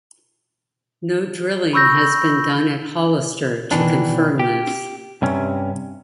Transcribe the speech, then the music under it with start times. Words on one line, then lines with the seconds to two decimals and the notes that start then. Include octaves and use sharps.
No drilling has been done at Hollister to confirm this.
1.73 B5 C#6 E6 G6 A#6
3.71 B2 D#3 E3 D4
4.39 G4
5.22 G2 C3 C#4